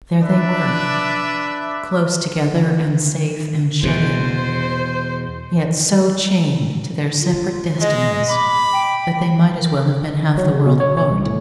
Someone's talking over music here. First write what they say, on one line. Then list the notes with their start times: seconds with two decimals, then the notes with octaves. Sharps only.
There they were, close together and safe and shut in; yet so chained to their separate destinies that they might as well have been half the world apart.
0.22 D4 B4 D5 E5
3.83 E2 B2 C5
7.21 F4
7.81 G#3 D#5
8.29 B5 D6
8.72 G5
10.38 F#3
10.51 C#3
10.66 B2
10.80 C#5
10.97 C#5
11.11 C2
11.26 A2